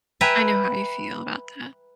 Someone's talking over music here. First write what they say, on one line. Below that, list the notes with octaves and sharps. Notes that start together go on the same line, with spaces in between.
I know how you feel about that.
B4 E5 G5 G#5 A#5